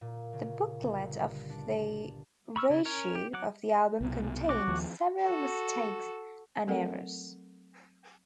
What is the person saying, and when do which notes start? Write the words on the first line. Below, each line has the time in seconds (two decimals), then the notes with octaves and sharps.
The booklet of the reissue of the album contained several mistakes and errors.
0.01 A#2
0.33 C#3
0.81 G1
1.50 D4
2.56 B5 C#6 E6 F6
2.70 C#3 E4
2.85 C#4 A#4 C#5
3.15 G4
3.33 F#3 F#5 D6
4.01 C2 B2
4.49 F#4 C#5 D6
4.68 D#2 F3
5.23 F#4 A4
6.67 F#3 A3 C4 A4 A#4 F#5